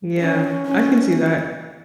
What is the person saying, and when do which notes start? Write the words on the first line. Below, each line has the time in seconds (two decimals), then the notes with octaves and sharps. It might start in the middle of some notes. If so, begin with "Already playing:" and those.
Yeah, I can see that.
0.21 C#4
0.66 C#4